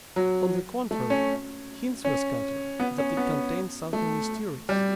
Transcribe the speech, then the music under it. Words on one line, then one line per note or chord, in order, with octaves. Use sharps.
On the contrary, hints were scattered that it contained something mysterious.
F#3
A3
C#4
C#4
B3
C#4
B3
A3
G3